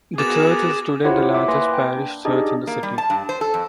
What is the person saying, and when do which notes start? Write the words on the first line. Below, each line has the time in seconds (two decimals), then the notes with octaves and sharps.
The church is today the largest parish church in the City.
0.18 B3 F#4 G#4 A#4 D6 A6 E7
1.04 E4 F4 G4 C5 C#5 F#5
1.34 E5 D6
1.48 A#3 B4 G#5 C6 A#6
1.73 G5
1.97 D4
2.25 D4 D#4 G4 G#4 D#5
2.67 A#3
2.83 G3
2.98 A5
3.10 G2
3.29 C5
3.41 A4
3.54 F2